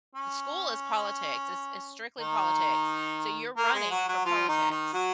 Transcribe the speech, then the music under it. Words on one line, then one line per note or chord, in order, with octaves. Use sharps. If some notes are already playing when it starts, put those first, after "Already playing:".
school is politics, it's it's strictly politics, so you're running for politics.
C#4
D#3 D#4
A#3 A#4
G#3 G#4
F#3 F#4
F#3 F#4
F3 F4
D#3 D#4
D#3 D#4
F#3 F#4